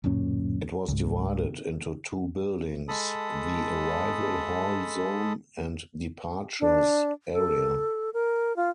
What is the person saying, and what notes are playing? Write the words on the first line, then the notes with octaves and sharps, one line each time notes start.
It was divided into two buildings: the arrival hall zone and departures area.
D1 F#2 A#2 C#4
C#2 G#2
G#3 A4 A5 B5 D#6
D4
A4
A#4
F4